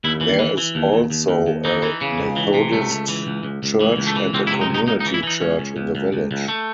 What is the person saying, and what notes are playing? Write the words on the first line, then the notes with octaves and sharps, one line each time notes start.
There is also a Methodist church and a Community church in the village.
D#2 E4
E3
E3
E3
D#2
D#2
D#2
D#2
D#2
E3 D#4
E3
C#3
C#2
E3
C3
C#2 A3
C#2
E3
C#2
C#2
C#2
E3
C#2
A3
E3
C#2 C4
E4
C3
D#4
C#2
D#4
C#2 D#4
D#4
E3
E4
E3 D#4
C#2 C#4
C#2
C#2
C#2
C#2
C#2
A3